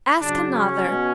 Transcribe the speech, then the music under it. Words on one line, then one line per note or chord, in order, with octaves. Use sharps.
Ask another.'
C#3 F#3 D4
C#4
B2